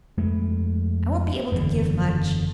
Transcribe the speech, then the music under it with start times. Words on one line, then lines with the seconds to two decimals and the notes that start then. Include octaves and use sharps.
I won't be able to give much.
0.18 F2 G#3 A3
1.52 F#1 E2 G#2 D3